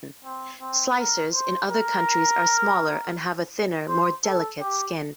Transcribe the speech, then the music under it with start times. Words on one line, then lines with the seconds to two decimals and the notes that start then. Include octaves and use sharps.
Slicers in other countries are smaller and have a thinner, more delicate skin.
0.25 C4
0.61 C4
0.98 A#4
1.33 C5
1.70 A#4
3.88 C5
4.24 A4
4.60 G4